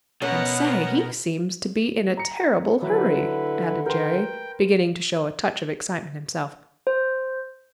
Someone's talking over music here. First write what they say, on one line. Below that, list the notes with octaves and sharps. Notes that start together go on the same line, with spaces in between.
"And, say, he seems to be in a terrible hurry," added Jerry, beginning to show a touch of excitement himself.
B2 B3 C#4 A#4 F#5
A#5 C#7
D3 F#3 E4 B4
A#4 B4 G5 C6
C5